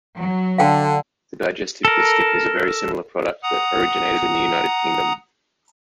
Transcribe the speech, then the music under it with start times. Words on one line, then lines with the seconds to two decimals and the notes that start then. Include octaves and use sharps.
The digestive biscuit is a very similar product that originated in the United Kingdom.
0.16 F#3
0.58 D3 F5 G5 A5
1.85 A4 A#4
3.43 F#5 A#5 D#6